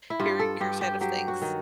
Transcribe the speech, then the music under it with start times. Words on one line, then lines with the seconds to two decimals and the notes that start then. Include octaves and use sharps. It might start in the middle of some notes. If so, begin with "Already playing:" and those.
hearing your side of things.
0.10 E4
0.20 G2 F4
0.39 A4
0.60 G2 G4
0.81 G4
1.01 F#3 G4
1.28 F#4
1.42 D#3